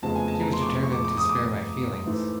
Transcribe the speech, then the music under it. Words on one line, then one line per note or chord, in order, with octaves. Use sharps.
She was determined to spare my feelings.
F1 E2 C#3 F3 G#3 A5
G#5
A5
A#5
C6
D6
C#6
C#6
D6
D6
D#6
D6
G#2 E3 A3